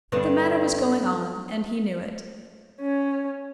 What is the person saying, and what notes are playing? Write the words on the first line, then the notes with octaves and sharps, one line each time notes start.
But the matter was going on, and he knew it.
G2 D3 B3
C#4